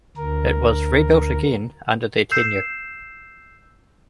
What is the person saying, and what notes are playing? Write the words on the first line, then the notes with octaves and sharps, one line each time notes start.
It was rebuilt again under their tenure.
D2 A#4
E6 G6 C7 E7